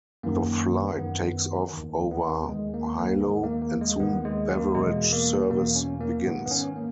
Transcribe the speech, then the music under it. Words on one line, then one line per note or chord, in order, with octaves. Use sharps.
The flight takes off over Hilo, and soon beverage service begins.
F#2 D#3 A#3
F#2 D#3 B3
D#2 D#3
B3
D#2 D#3 G#3
A#3
A#3
D#2 D#3 G#3
A#3
A#3
G#3
D#2 D#3 B3
G#3
A#3
E2 B2 G#3
A#3
E2 B2 A#3
C#4
A#3
G#2 D#3 B3
B3
C#4
A#3